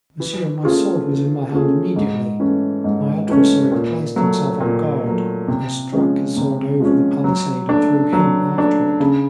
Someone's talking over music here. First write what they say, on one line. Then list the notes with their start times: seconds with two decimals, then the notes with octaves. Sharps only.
"Monsieur, my sword was in my hand immediately, my adversary placed himself on guard, I struck his sword over the palisade, and threw him after it."
0.20 E3
0.64 A3 C#4 F4 G#4
1.08 E3
1.52 A3 C#4 F4 G#4
1.96 G#2
2.39 E3 A3 C#4
2.84 G#2
3.29 E3 A3 C#4
3.72 A#2
4.16 F#3 A3
4.60 A#2
5.04 F#3 A3
5.48 C3
5.92 F3 G#3 C#4
6.37 C3
6.80 F3 G#3 C#4
7.24 F#3
7.68 A3 D4
8.13 F#3
8.57 A3 D4
9.00 C#3